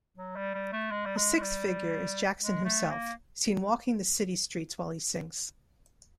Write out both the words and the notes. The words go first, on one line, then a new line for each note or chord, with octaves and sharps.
The sixth figure is Jackson himself, seen walking the city streets while he sings.
F#3
G3
G3
A3
G#3
G3
G#3
G#3
G3
G#3
A3
A#3